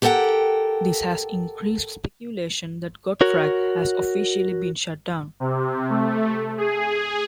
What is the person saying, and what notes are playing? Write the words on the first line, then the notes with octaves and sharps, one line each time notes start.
This has increased speculation that Gotfrag has officially been shut down.
G4 A4 A#4 E5 F#5 G5
F#4 A#4 C#5
C3
A3
G#4